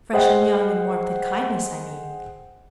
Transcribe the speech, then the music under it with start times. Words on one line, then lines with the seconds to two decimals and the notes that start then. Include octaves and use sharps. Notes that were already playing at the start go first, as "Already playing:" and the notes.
'Fresh and young in warmth and kindness, I mean.
0.13 G#4 C5 D#5 F#5 G5